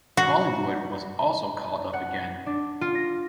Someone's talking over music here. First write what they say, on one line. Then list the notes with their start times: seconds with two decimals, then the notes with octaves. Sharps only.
Collingwood was also called up again.
0.17 F#4
1.93 F#5
2.46 D4
2.81 F4
2.95 A#6